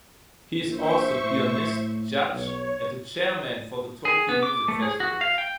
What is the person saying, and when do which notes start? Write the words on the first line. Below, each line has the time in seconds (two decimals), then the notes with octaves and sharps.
He is also pianist, judge and a chairman for the Tokyo music festivals.
0.67 A#1 C5 E5 C#6
1.22 A2
2.31 B1 C#5
4.05 G#4
4.29 B3
4.43 D6
4.68 A3
4.82 G#4
5.00 F#4
5.21 F5
5.38 G5